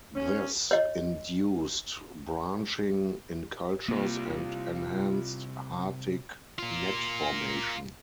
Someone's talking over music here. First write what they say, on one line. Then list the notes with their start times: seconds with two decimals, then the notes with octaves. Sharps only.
This induced branching in cultures, and enhanced Hartig net formation.
0.15 C#4
0.71 C#5 D#5
3.88 C3 G3 A#3 F4
6.59 A#3 F4